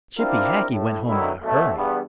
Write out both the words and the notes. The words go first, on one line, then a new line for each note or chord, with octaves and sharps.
Chippy Hackee went home in a hurry!
C4 D4 E4 F4 G4 A#4
A2
B2 D3 D#3 F#3 E4
B1 A3
E2 G2 B3